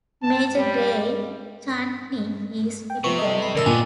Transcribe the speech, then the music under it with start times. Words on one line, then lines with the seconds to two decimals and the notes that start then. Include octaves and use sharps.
Major Grey's Chutney is typical.
0.23 A5
0.55 G3
2.90 G5
3.04 C3 F3 B3 C#6
3.18 A4 D#5
3.42 B5
3.55 F#2 D3 A#4 E6
3.66 A#2 B3 D4 G5 G#5